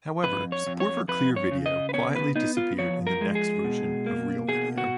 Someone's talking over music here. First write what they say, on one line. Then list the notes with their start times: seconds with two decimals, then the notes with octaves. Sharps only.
However, support for ClearVideo quietly disappeared in the next version of RealVideo.
0.24 F2 B4
0.52 C#5
0.67 F2
0.80 C#5
1.08 F2 B4
1.36 C#5
1.51 C#3
1.66 D#5
1.89 B4
1.94 B3 C#5
2.15 B4
2.36 B3 D#4
2.57 F4
2.79 F3 C#5
3.07 A#4
3.21 G#3
3.35 G#4
3.64 B2
4.06 A#3
4.48 B2 G#4
4.78 F#4